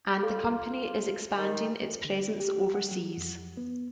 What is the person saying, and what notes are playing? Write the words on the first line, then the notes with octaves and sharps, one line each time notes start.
And the company is expanding its presence overseas.
F4 A4
D#3
D3
G4
F#5
F#3
F2
B3